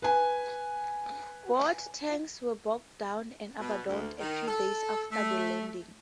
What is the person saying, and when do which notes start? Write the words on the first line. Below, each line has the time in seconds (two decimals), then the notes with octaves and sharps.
Both tanks were bogged down and abandoned a few days after the landing.
0.02 B4 G#5
3.61 B2
3.87 D2
4.20 D#3
4.48 A4
5.12 A3